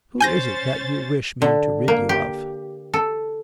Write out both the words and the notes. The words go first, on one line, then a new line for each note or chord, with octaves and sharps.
Who is it that you wish me to rid you of?'
C#4 C5 G#5 G6 A6 A#6
D3
A#3
G4
A4